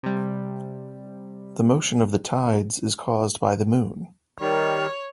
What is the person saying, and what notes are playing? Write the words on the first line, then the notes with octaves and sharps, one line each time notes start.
The motion of the tides is caused by the moon.
C3 G3
D#3 G3 C#5